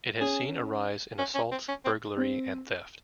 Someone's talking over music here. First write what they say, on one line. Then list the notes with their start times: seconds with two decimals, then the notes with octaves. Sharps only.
It has seen a rise in assaults, burglary, and theft.
0.21 C#4 G#4
1.18 C#4
1.35 C#4
1.52 C4
1.68 C#4
1.85 C4
2.17 C4